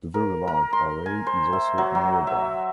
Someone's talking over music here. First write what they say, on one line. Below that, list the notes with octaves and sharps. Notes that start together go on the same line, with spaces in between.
The Very Large Array is also nearby.
A#4
A#4
C6
G#5
C5
E5
F#3
F#3
E5